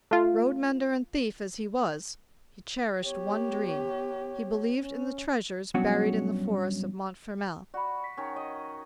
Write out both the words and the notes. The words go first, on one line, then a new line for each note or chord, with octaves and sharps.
Road-mender and thief as he was, he cherished one dream; he believed in the treasures buried in the forest of Montfermeil.
A3 F4
B3 G4 C#5
C#4
G2 B2 F#3 C#4 F#4
F#4 D5 B5
B6
D#3 C#4
D#5